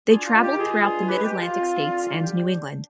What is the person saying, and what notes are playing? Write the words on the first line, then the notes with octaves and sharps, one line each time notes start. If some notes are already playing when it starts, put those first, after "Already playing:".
They traveled throughout the Mid-Atlantic states and New England.
D4 F4 G#4
F4
D#3
G4
G#3 F4 G#4
G2
G#3 G4 B4
G4
F2
F4
C4
D3
D4 F4
G4